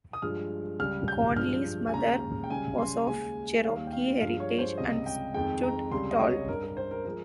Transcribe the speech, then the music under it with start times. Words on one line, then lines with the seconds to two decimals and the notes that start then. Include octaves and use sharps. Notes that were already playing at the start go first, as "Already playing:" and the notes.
Conley's mother was of Cherokee heritage and stood tall.
0.13 D#6
0.22 G2 F3 G#3 F6
0.79 C#2 C#3 G3 F6
1.08 G6
1.36 G2 F3 G#3 F6
1.87 G#5
1.94 D#2 C#3 G#3 A#5
2.44 G5
2.50 C#2 C#3 G3 G#5
2.78 C6
3.07 D#2 C#3 G#3 G#5
3.64 D#2 D#3 G3 F5
3.87 G5
3.92 F5
4.21 G2 F3 G#3 F5
4.40 C#5
4.59 C5
4.78 C#2 C3 G3 D#5
5.06 G5
5.34 F2 D#3 G#3 G5
5.63 A#5
5.91 C#2 C3 G3 C6
6.11 D#5
6.20 C#5
6.48 G2 G3 A#4
6.63 A#4
6.77 C5
6.91 A#4
7.05 F3 G#3 A#4